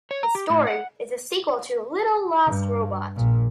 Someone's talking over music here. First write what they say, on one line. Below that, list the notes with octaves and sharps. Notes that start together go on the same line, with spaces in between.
The story is a sequel to "Little Lost Robot".
C#5
A#5
G4
A2
F#5
G2
A#1 A#2